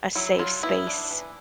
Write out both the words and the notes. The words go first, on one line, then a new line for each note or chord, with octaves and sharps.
a safe space
F#3 E4
F#3 F4
B3 E4
D4
E3